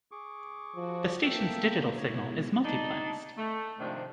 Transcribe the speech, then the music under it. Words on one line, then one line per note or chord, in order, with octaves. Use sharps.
The station's digital signal is multiplexed.
G#4 C#6 D6
F3 F#4
A#3 B3 A4 E5 G5
B2 G#3 E4 C#5
D4 D#4
A3
G#2 C3 D#3 F3 D4